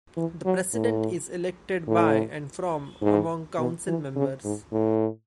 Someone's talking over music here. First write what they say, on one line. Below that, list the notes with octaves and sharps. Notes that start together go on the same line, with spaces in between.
The President is elected by and from among Council members.
E3
F#3
A2
A2
G#2
B2
E3
C#3
G#2
A2